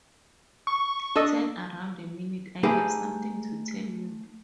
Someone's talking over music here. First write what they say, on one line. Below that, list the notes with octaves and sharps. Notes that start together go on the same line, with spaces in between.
Turn around a minute, I have something to tell you.
C#6
D4 A4 D#5
A3 D#4 G4 G#4 B4